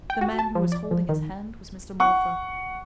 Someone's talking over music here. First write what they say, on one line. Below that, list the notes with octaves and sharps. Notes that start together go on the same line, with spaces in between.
The man who was holding his hand was Mr. Morpher.
G5
F#4
A5
F3
D5
F3
D#3
F#5 C#6